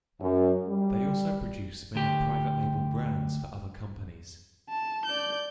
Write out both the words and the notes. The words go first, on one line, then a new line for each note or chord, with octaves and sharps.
They also produce many private label brands for other companies.
F#2
G3
D2 G4
A5
D5 G6